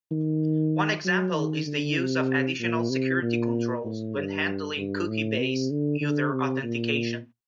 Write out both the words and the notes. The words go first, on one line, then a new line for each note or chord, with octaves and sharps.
One example is the use of additional security controls when handling cookie-based user authentication.
D#3
F#3
D#3
D3
C3
A#2
C3
A#2
A2
G2
G2
A2
C3
D3
D3
C3
A#2